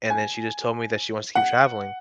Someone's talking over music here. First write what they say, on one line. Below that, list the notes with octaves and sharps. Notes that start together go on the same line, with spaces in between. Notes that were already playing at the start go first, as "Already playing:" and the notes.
and then she just told me that she wants to keep traveling,
G#5
F#5